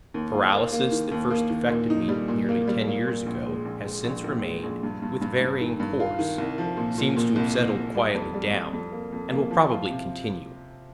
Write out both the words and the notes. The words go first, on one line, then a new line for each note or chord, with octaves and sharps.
The paralysis that first affected me nearly ten years ago, has since remain'd, with varying course--seems to have settled quietly down, and will probably continue.
D#2
F4
A#3
A#3
D#3
D#2
A#3
D#3
A#2
D#4
G3
A#2
A#3
G3
A#3
A#2
A#1
G#3
A#1
G#3
A#1
A#1
G#3
A#1
G2
G2
G2
G2
D#3
G2
F4
D#3
C2
F3
A#2
A#2
A#2
C2
C2
C2
G3
F2
G3
F2
F2
A#3
F2
A#3
F3
F4
C3